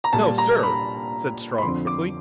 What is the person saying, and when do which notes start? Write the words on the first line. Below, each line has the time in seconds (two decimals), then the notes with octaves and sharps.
"No, sir!" said Strong quickly.
0.04 A#5
0.13 A#2 G3 A5
0.38 A#5
0.63 B5
1.58 B5
1.62 F2 D3 F3 C6
1.87 D6